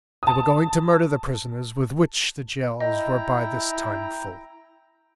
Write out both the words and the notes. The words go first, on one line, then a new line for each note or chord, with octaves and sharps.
They were going to murder the prisoners with which the jails were by this time full!
A5 D#6
E4 D#5 G5 A#5